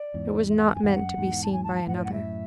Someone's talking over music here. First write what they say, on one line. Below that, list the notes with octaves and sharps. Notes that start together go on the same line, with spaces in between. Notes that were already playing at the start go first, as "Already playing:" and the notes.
It was not meant to be seen by another.
Already playing: D5
E2 G#2
E5
F#5
A5
F#2 G#5
E2 G#2 F#5
F#2
E2 G#2
A5
G#5
A5
A5
F#2 A2 F#5
C#5
F#5
E5